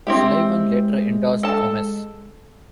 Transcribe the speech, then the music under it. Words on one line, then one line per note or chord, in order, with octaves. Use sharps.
Sullivan later endorsed Gomez.
G#3 C4 E4 G4
A4 A5